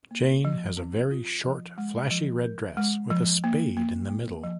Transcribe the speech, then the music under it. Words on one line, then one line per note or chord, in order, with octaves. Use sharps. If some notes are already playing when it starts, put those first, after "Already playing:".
Jayne has a very short flashy red dress with a spade in the middle.
A#3
F3
C4
F4
F3
G#3
F3
A#4
G#3
F3
A#3
A#3
A#3
F3